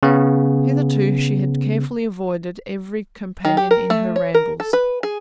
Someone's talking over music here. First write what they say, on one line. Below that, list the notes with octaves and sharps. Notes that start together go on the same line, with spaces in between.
Hitherto she had carefully avoided every companion in her rambles.
C#3 B3
D#3
G4
A#4
A3
C#5
A#4
A4
B4
G#4